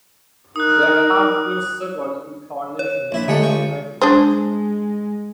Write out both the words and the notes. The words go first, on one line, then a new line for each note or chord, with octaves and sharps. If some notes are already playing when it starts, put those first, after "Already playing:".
There have been several incarnations of a Berkley Bridge.
D#4 A#4 D#6 F#6
C#5
A#1 E4 B5
D3 G#3 A3 D5 G#5 C#7
C#2 G5 C#6
G#3 D4 G#4 C5